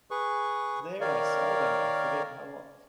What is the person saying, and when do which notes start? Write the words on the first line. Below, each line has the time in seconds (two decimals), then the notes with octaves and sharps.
was there, I saw that, I forget how lo
0.11 G#4 B4 C#6
1.01 D#3 A#4 C#5 D5 F5